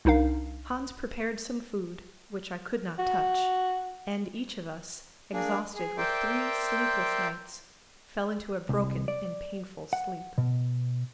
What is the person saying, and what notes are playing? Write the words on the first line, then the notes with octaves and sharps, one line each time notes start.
Hans prepared some food, which I could not touch; and each of us, exhausted with three sleepless nights, fell into a broken and painful sleep.
C2 D4 D#4 A#4 F5
F#4
A#3 D4 G#4
G#4
A#4 C5 D5 E5 G5 C6
C2
D5
F#5
B2